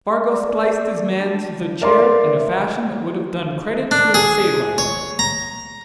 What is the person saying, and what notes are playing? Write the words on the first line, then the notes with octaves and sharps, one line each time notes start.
Spargo spliced his man to the chair in a fashion that would have done credit to a sailor.
D5
D4
A#4 D5 F5 C6
E5
D4
G#4
C#5
A#5